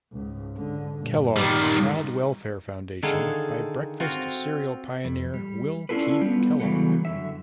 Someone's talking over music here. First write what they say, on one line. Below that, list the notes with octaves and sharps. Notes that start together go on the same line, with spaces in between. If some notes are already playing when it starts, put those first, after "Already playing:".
Kellogg Child Welfare Foundation by breakfast cereal pioneer Will Keith Kellogg.
C#2 G#2
G#2 D3
G2 A#2
D#3 G3
D3 D#3 G#4 A4 F5 G#5
C4 F4 F#4
F2
G3
C#4 D4 E4 F4 A4 B4
G3 B3
C#3 E3 F#3 G3 B3 A4
F#2 D3 E5